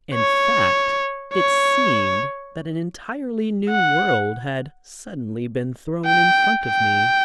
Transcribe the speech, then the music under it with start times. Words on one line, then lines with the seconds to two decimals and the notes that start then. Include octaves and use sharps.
In fact it seemed that an entirely new world had suddenly been thrown in front of me.
0.14 C#5
1.34 C#5
3.70 F#5
6.06 G5
6.65 G5